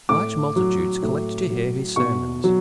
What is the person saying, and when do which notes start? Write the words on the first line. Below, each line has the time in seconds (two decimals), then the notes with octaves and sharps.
Large multitudes collected to hear his sermons.
0.09 A2 D6
0.56 F#3
1.03 A2
1.50 F#3
1.96 B2 C#6
2.44 F#3